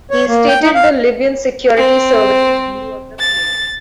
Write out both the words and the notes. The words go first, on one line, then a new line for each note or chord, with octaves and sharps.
He stated The Libyan security services blew up the plane.
C#5
A#3
G5
D#4
F5
C4
A6